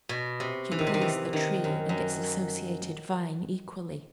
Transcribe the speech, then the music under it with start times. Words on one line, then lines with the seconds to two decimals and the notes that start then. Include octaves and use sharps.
She praised the tree and its associated vine, equally.
0.09 B2
0.40 C3
0.71 E3
0.79 D#3
0.87 C3
0.94 D#3
1.01 E3
1.33 D#3
1.64 F#2
1.89 F#2